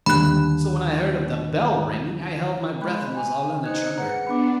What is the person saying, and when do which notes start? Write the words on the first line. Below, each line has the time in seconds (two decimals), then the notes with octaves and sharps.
So when I heard of the bell-ringing, I held my breath and was all in a tremor.
0.06 D#2 D3 G3 B5 F#6
2.80 G#3 G5 B5 F#6
3.15 G5 G#5
3.64 D#4 C5 F#6 G#6 C#7
3.98 G#4 B4 F#5 A#5
4.27 B3 D4 B5 D6